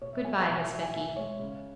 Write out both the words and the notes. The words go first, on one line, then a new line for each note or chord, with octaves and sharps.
'Good-bye, Miss Becky.
B2 C#5
E5
F#3 G#5
B5
B2 G#5
E5
F#3 G#5
G#5
B2 E5
G#3 C#5
C#3